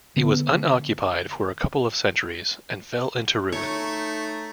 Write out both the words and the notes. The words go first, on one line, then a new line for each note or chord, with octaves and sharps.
It was unoccupied for a couple of centuries and fell into ruin.
D3 B3
A3 D#4 C#5